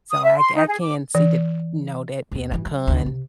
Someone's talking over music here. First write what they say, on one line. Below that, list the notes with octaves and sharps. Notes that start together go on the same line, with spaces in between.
So I c I can see that, you know, that being a con.
D#6
E5
C6
D#4
G#4
D6
E3
D#2 B3
G2 E3
F#3
D2 D#3
C3